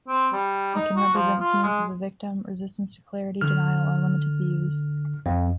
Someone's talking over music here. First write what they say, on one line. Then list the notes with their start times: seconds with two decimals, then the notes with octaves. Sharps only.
It can represent themes of the victim, resistance to clarity, denial, or limited views.
0.08 C4
0.33 G3
0.75 D#4
0.97 F#4
1.14 F3
1.40 F4
1.63 G#3
3.41 D3 F6
5.26 F2